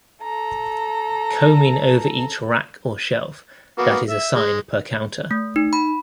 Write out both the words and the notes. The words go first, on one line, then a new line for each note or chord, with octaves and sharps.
Combing over each rack or shelf, that is assigned per counter.
A4 A#5
A#3 B3 F#4
E5
G#3
A3
D#4
B5